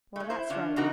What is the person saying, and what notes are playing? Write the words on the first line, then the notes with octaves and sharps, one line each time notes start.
Well, that's right.
G#3 A3
E4 C5
D3 C#4 D4 F4
C#3 E3 C4 D#4 F#4 A#4